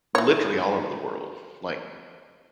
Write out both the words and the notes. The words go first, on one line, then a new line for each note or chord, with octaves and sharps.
literally all over the world, like
E3 C#5